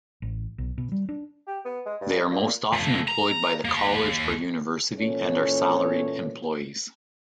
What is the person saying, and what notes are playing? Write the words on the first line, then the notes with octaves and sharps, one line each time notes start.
They are most often employed by the college or university and are salaried employees.
A1
B1
B2
G3
D4
G4
B3
G#3
G2
A#2
F3 A3
A#5
A#3 G4
A#2 E3 C#4 A4 C#5